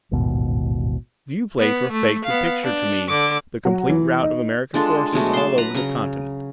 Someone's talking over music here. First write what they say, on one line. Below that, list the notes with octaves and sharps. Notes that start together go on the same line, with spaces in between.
Viewplates were faked to picture to me the complete rout of American forces all over the continent.
A1 D#2 G#2 B2
B3
A3
B3 F5
D4
D3 D6
F#3
E3
D#4
G#3 D4 F4 A4
B2 F#3 G#3 A3
A5 C6
B4 A#5
C#3 A#5